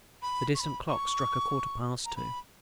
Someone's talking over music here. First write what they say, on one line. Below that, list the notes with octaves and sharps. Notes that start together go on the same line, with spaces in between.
The distant clock struck a quarter-past two.
B5
C#6
B5
C#6
A#5
B5